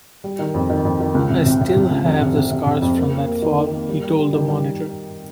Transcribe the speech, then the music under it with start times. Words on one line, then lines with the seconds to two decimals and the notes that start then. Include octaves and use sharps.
"I still have the scars from that fall," he told the Monitor.
0.24 G3
0.39 D#3
0.54 F2
0.70 D#3
0.85 F2
1.00 D#3
1.14 C#2
1.30 C3
1.46 C3
1.61 C3
1.76 C3
1.90 C#2
2.05 F1
2.22 C3
2.36 C3
2.51 C3
2.67 C3
2.82 F2
2.98 A#3
3.12 A#3
3.27 A#3
3.42 D#3
3.58 D#3
3.73 A#3
3.89 G3
4.03 G3
4.19 G3
4.33 D#3
4.48 G3